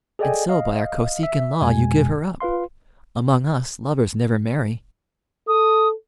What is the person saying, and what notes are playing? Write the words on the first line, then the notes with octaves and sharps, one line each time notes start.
And so by our Kosekin law you give her up; among us, lovers never marry.
G#4 A4 D5 D#5 G5 G#5
D#5 F5
E5
F2 B2 G#3 G#5
F4 B4 F5 C6
A4 D#6